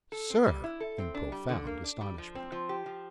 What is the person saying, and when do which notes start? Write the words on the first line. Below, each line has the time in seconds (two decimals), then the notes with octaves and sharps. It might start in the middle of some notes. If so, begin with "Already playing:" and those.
"Sir!" in profound astonishment.
0.12 A4
0.30 C4
0.47 G3
0.64 E4
0.80 A4
0.98 C4
1.15 D4
1.32 G3
1.49 D3
1.67 A#3
1.84 D4
2.01 G3
2.18 F3
2.35 C4
2.52 F3
2.69 G4
2.86 F3